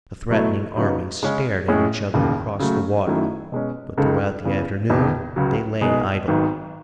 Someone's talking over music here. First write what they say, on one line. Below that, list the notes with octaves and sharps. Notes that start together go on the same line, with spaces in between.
The threatening armies stared at each other across the water, but throughout the afternoon they lay idle.
B2 F#3 A3 E4 A4
C#3 F#3 B3 D#4
C#3 G#3 C#4
A2 G#3 C#4 G#4
E1 D#2 C#3
C#3 F#3 A3
F#2 D#3 F#3 A3 E4
B2 G#3 C#4
C#2 C#3 G#3 D#4 A4
E2 C#3 E3
E1 E2 D#3
C#2 C#3 F#3
B2 G#3 D#4 G#4
G#1 G#2 D#3 F#3 B3